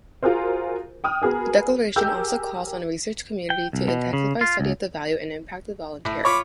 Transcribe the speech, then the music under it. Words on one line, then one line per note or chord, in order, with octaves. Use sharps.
The declaration also calls on the research community to intensify study of the value and impact of volunteering.
F4 F#4 G#4 A#4 C5
G5 D#6 F6
B3 F#4 G#4 A#4
G4 G#4 A#4 E6 G6
G5
C2
B2
C#3
F4
C#2
A2
F4 C#5 B5 D6